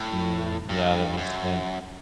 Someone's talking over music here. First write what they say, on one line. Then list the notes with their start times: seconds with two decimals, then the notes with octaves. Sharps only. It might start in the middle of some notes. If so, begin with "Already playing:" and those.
Mm, yeah, that makes sense.
Already playing: A2
0.69 G2
1.17 F#2